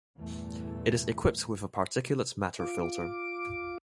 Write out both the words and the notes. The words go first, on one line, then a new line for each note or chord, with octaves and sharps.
It is equipped with a particulate matter filter.
E2 G2 A#2 E3 A3
F4 D6